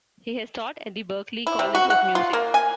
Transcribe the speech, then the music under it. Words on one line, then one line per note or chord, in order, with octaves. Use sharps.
He has taught at the Berklee College of Music.
E4
C3
F#4
F#5
F4
A#3
G#5